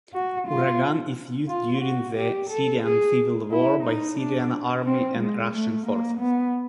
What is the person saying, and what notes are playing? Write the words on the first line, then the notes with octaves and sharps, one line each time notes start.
Uragan is used during the Syrian Civil War by Syrian Army and Russian forces.
F#4
F4
F4
F#4
G4
A4
G#4
E4
D#4
D4
C4
G#3
A3
A#3
B3